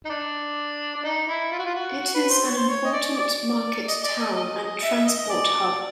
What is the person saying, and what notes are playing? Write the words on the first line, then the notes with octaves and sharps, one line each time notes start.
It is an important market town and transport hub.
D#4
D4
D4
D#4
E4
F4
F#4
F4
F#4
F#4
B4
C5
C#5
C5
C#5
D#5
D5
D5
D#5
D5
D#5
D#5
E5
E5
D#5
D#5
D5